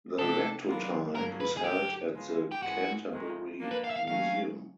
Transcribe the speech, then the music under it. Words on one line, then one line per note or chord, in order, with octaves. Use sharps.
The lectotype is held at the Canterbury Museum.
C3 F3 A3 D4 G4 A4
F#3 B3 D4 F4 A#4
G2 D3 F#3 A#3 C#4 A#4
B4
G#4
D2 D3 F#3 G4
C#3 F3 G#3 B3
G4
G#2 E3 G#3 C#4 F#4
F2 C3 D#3 G#3
F3 A#3 D4
B4
F5
E5
F5
F#3 A3 C#4 F#4 F5